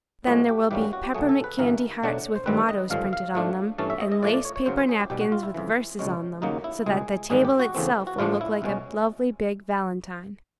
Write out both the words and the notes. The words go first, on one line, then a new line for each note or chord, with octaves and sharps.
Then there will be peppermint candy hearts with mottoes printed on them, and lace-paper napkins with verses on them, so that the table itself will look like a lovely big valentine.
A2 F3 G#3 F#4
G4
G#2 E3 G3 A#3 C#4 G4
F#4
F#4
G4
B1 B2 F#3 A3 G#4
A4
B4
G1 G2 E3 A#4
B1 B2 F#3 A3 D4
C5
G#1 G2 D#3 G3 C4 B4
D#5
G#1 G2 D3 F3 F5
F5
G#2 F3 A3 D4
G2 E3 A3 C#4 A5
E5
D#5
D#5
A2 F3 A3 D5
D5
C#5
C#5
F#2 C#3 F#3 C5
C5
G#4
G4
B1 B2 G3 G4
F#4
F4
E4
F2 C#3 E3
C#2 B2 G#3 C#4
D#2 C#3 F#3 A#3 D#4
E4
C#2 B2 G#3 G#4
A1 G#2 D#3 G3 G#4
G4
F#4
E2 C#3 E3 A3 C4
F#4
A1 A2 F3 A3 D4 F4
E4
C2 B2 G#3 C#4